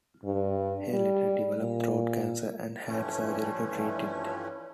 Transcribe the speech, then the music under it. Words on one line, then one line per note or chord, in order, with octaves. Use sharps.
Hey later developed throat cancer, and had surgery to treat it.
G2
G3
A#2
G2 E3 F3 A3 C#4